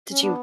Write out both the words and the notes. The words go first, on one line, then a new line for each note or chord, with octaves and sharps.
Did you
C#4
B3 D4